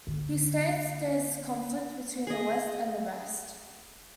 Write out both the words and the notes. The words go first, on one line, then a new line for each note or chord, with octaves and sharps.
He states there is conflict between the West and the Rest.
D3 A#3
G#4 D#5